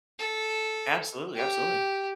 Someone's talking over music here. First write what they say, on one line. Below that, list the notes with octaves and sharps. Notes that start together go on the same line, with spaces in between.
Absolutely, absolutely.
A4
G4